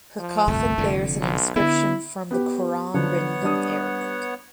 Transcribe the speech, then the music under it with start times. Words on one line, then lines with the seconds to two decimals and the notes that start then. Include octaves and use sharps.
Her coffin bears an inscription from the Quran written in Arabic.
0.19 F3
0.48 G1 C2 F2 A3
0.78 F1 F2 D3
1.21 B1
1.56 D3 B3 E4
2.31 B3 G4
2.94 D3 F3 F#3 B3 C#5 F#5
3.42 G3 D4 D#6